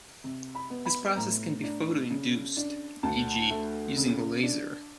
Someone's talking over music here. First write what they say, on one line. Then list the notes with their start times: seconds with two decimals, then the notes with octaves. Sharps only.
This process can be photoinduced, e.g., using a laser.
0.24 C3
0.55 B5
0.70 B3
0.85 B5
1.16 A2 A#5
1.63 D4
2.10 C#3
2.57 D4
3.03 D2 A5
3.50 A3
3.97 C#3
4.43 D4